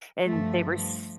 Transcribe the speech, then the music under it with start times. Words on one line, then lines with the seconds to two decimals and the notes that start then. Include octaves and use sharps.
and they were s
0.27 G2 F3 A3